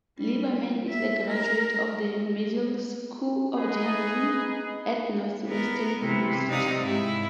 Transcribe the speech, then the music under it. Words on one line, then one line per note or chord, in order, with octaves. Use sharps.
Leiberman is a graduate of the Medill School of Journalism at Northwestern University.
G3
E5
A#4
D#4 G#4 B4 D#5
B3 A#4
C3 E3
C3 D#4 D5 F5 D#6
G#2 E4